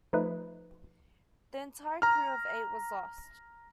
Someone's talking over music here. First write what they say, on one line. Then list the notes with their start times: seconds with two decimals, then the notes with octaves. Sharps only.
The entire crew of eight was lost.
0.13 F3 A3 D#4 B4
2.02 A#5 F6